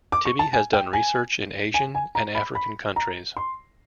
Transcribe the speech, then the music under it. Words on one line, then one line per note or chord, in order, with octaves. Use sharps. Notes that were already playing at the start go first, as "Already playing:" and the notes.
Tibi has done research in Asian and African countries.
D6
C#6
A5
G#5
G5
G#5
G#5
G#5
A#5
B5
B5
A#5
C6